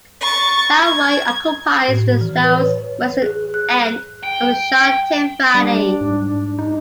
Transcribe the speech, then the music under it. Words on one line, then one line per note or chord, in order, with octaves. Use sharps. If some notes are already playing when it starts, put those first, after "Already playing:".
Tai Wai occupies the southwestern end of the Sha Tin Valley.
C#6 A6
G#6
A2
E3
B4
C#5
G#4
F#6
G5
G3 D4
G#2
D#4